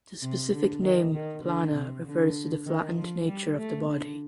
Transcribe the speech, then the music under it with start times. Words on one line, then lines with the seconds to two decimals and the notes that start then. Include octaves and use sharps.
The specific name "plana" refers to the flattened nature of the body.
0.22 C3
0.52 D3
0.83 D#3
1.14 D#3
1.44 D3
1.74 C3
2.05 D3
2.66 D#3
2.96 F3
3.27 G3
3.58 A3
3.88 D3